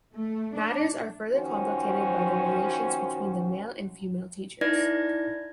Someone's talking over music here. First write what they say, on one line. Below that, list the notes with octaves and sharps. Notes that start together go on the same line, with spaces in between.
Matters are further complicated by the relations between the male and female teachers.
A3
D4
D#3 F3 C#4 F#4 C5
D#4 E4 B4 D5 G#6 A#6